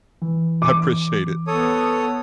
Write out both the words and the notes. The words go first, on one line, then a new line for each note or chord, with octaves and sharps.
I appreciate it.
E3
D6
B3 A4 C#5 D#6